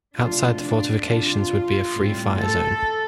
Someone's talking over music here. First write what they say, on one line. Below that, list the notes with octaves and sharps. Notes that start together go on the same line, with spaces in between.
Outside the fortifications would be a free fire zone.
C3 F3 A3 D4 F4
D4
C3 G3 D4 F4
A2 G3 C4
A4